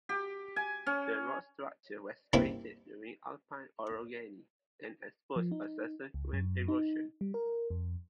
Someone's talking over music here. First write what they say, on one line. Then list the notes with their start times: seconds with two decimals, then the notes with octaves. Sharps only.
The rock structure was created during the Alpine orogeny and exposed by subsequent erosion.
0.09 G4
0.56 G#5
0.86 C#4
2.33 G2 C3 A#3 C4 E4 B5
5.36 F3
5.52 D#4
6.14 C#2
6.33 F#2
6.68 D#4
7.21 G3
7.34 A#4
7.70 F2